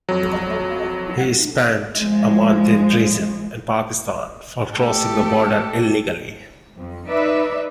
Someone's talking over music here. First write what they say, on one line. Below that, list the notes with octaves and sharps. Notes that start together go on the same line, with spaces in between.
He spent a month in prison in Pakistan for crossing the border illegally.
F2 F#3
F3 G#3
A3 G4 A4
F2
D#4 B4 D5 E5